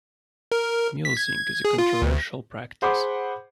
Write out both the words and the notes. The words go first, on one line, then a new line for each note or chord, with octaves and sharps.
Mulesing is a controversial practice.
A#4
B6
G#6
G#4
F4
D2
G#4 C5 F#5 B5 D6